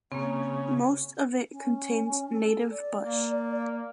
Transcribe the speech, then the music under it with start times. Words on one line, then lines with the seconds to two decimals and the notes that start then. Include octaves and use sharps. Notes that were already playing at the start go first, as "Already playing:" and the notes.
Most of it contains native bush.
0.12 C#3 A#3 C4
1.52 C#4
2.32 A4
2.71 D5
3.01 A#3